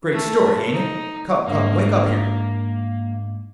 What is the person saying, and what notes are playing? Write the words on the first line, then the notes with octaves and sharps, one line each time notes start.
Great story, ain't it? Come, come, wake up here.
A3
D#4
G#2 A#3 D4 E5